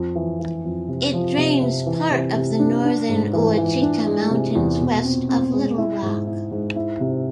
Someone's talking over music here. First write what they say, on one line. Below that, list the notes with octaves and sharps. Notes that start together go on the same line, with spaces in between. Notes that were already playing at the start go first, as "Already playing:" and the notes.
It drains part of the northern Ouachita Mountains west of Little Rock.
Already playing: F2
E3
E3
F2
C3
F3
C3
C3
E3
C3
C3
D4
D4
G#2
E3
E3
D4
G#3
C3
E2
B2
C4
C4
G#3
E4
G#2
E4
G#2
E4
C3